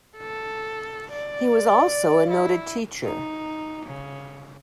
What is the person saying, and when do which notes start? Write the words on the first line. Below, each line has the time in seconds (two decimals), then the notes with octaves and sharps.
He was also a noted teacher.
0.18 A4
1.12 D5
2.30 E4
3.03 D#4
3.85 C#3